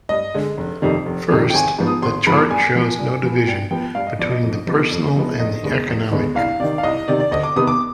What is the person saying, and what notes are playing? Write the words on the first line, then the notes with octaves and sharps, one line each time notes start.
First, the chart shows no division between the personal and the economic.
G2 D#5
D3 G#3
F1
F2 C3 D#3 G3
F1
F2 C3 D#3 G3
G5
G#1 G#5
G#2 F3 B3
D#6
G#1 C6
G#2 F3 B3 B5
G2 G#5
F3 B3
G2
F3 B3
G2 G5
F3 B3 G5
G2 F5
D#5
F3 B3 D5
D#5
F2
C3 F3 G#3 B3
F2
C3 F3 G#3 B3
F1 D#5
D#2 D3 G#3 B3
F1
D#2 D3 G#3 B3
C2 F5
C3 D#3 D5
F5
C2 D#5
C3 D#3 D5
D5
D2 D#5
D6
C3 D#3 B3 D#6
D6